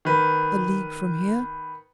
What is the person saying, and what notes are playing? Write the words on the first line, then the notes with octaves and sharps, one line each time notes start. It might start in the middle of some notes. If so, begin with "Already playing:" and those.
"A league from here."
D#3 B4